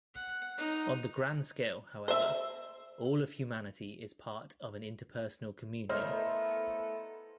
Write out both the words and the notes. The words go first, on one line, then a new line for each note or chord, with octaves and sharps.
On the grand scale, however, all of humanity is part of an interpersonal communion.
F#5
D#4
C5 E5
A3 B3 E4 A4 A#4 C5 D#5 F6